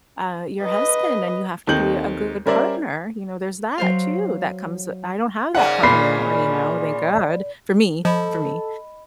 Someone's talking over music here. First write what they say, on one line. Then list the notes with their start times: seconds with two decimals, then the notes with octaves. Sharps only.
uh, your husband, and you have to be a good partner, you know, there's that, too, that comes w I don't have that partner anymore, you know, thank God for me, for me,
0.63 B4 D#5
1.67 D#2 A3 C4 D#4 G6 F#7
2.46 G3 C#4 A#4 C5 D5 E5
3.78 F#3 C5 F5
5.55 G#2 C#3 A#3 D5 F#5
5.83 A#2 B5 C7
8.05 F3 A4 D#5 B5